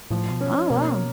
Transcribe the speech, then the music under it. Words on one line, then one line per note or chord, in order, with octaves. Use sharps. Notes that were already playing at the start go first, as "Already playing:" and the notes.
Oh, wow.
A2 F3
B2
C#4
B2 A#3